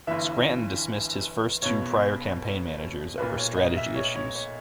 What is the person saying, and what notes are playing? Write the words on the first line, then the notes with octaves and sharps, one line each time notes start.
Scranton dismissed his first two prior campaign managers over strategy issues.
G1 G2 E3 E5
B1 B2 C#5
B1 A#2 B4
C#5
D#5
E5
C#5
C#5
C#5